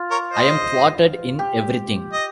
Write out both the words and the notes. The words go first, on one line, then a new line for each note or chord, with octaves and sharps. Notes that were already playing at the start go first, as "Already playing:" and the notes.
I am thwarted in everything.
Already playing: F4
A#4 C#5
C5 D#5
G4
D#5